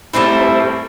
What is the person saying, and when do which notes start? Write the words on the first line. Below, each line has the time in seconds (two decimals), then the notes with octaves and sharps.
Oh, okay.
0.13 G3 A3 C4 E4